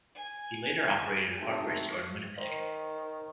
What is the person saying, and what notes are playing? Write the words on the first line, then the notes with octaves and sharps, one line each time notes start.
He later operated a hardware store in Winnipeg.
G#5
G#3 A3 C4 D#4 F#4
D#3 C5 D#5